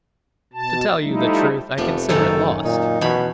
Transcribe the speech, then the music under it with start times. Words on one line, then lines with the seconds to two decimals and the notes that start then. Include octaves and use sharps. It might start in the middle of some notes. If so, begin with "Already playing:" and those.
"To tell you the truth, I consider it lost."
0.53 B2 A5
1.02 F3 G3 A3 D#4 E4
1.78 F1 C3 F3 A3 B3
2.09 F#1 F#2 D#3 C#4 A4
2.65 A#2 D#4
3.01 E2 B2 B5